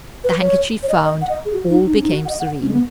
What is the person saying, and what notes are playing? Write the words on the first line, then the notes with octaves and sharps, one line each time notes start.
The handkerchief found, all became serene.
B4
C#5
C#5
D#5
D#5
F#5
D#5
G#4
F#4
D#4
D#4
C#4
D#4
F#4
F#5
D#5
F#5
C#4
G#3
B3